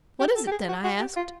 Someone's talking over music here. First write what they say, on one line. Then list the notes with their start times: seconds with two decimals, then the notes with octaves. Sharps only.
"What is it, then?" I asked.
0.20 G4
0.36 A4
0.47 G4
0.51 G#4
0.69 F#4
0.84 F#4
1.00 G4
1.16 F4